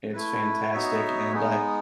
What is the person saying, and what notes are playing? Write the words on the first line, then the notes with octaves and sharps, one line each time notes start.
it's fantastic, and I
A3 E4 B4
B3 D#4 F#4 C#5 E5
G#3 B3 D#4